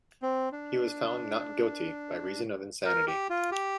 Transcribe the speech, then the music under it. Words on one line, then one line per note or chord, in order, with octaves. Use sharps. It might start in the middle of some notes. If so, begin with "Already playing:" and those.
He was found not guilty by reason of insanity.
C4
D4
A#4
G4
F4
G4